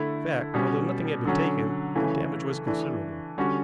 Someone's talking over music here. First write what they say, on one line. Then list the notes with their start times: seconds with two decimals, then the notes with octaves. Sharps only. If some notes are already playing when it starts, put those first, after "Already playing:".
In fact, although nothing had been taken, the damage was considerable.
Already playing: D3 A3 E4
0.54 B2 G3 C#4
1.25 D3 F#3 C#4
1.95 C#3 E3 A3 C#4
2.66 E3 A3 D4
3.38 D3 G3 C#4 F#4